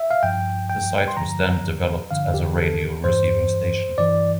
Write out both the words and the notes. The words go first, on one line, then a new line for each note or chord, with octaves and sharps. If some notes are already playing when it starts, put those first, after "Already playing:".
The site was then developed as a radio receiving station.
Already playing: E5
F5
G2 F3 G5
G5
C6
G2 D3 F3 A#5
G2 D3 F3 F5
G4
A4
G2 E3 C5
G2 E3 D5